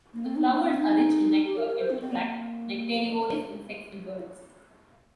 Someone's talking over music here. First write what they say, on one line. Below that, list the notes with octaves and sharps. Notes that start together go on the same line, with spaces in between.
The flowers are rich in nectar and attract nectarivorous insects and birds.
A#3
C4
D#4
A#3
D#4
C4
D#4
G4
A#4
A#4
C5
C4
C4
A#3